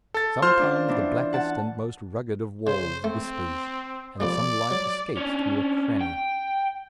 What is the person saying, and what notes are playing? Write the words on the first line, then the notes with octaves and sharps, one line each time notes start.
Sometimes the blackest and most rugged of walls whispers, and some light escapes through a cranny.
A4 A6
F4 C5 C6 F6
C#4 D4
E3 B3 D4
F#5 A5
C#3 C5
A3 C4
F2 A#2 G3 D5
F#3
C#4 D4
G5